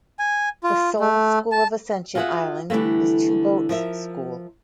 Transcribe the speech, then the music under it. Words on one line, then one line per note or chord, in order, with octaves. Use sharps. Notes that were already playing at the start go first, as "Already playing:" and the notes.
The sole school of Ascension Island is Two Boats School.
G#5
F4
A3
A5
F4 F#4 G#4 B4 E5 F#5
D3 E3 G3 A3 A#3
F3 A#4 E5